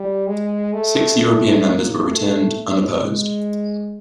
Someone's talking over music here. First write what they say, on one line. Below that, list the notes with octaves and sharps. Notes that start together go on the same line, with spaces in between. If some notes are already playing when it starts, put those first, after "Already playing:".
Six European members were returned unopposed.
Already playing: G3
G#3
A3
A3
A#3
A3
G#3